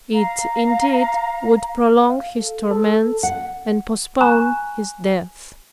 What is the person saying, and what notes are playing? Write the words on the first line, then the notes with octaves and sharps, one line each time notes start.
It indeed would prolong his torments, and postpone his death.
F5 A#5
F5
A4
A4
F#5
G#5 A#5 B5 C#6 F#6 E7